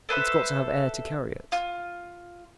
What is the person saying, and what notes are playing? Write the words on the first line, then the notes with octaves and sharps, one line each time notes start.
It's got to have air to carry it!
A4 B4 C5 E5
F4